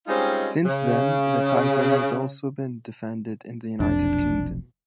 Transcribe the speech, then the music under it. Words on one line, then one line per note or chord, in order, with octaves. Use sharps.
Since then, the title has also been defended in the United Kingdom.
G3 G#3 C4 C#4 D#4 F4
C#3
F1 B1 F2 D4